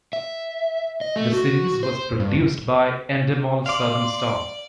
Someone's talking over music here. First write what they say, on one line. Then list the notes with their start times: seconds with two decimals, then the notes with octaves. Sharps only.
The series was produced by Endemol Southern Star.
0.13 E5
1.01 D#5
1.16 A3
1.33 F#4
1.83 C5
2.20 G2
3.66 D5 F5 C6 D6